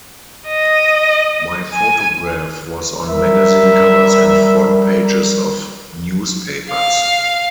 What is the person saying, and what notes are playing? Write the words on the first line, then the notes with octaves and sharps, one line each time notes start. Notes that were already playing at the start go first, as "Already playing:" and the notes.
My photograph was on magazine covers and front pages of newspapers.
D#5
G#5
G3 A#4 E5
F5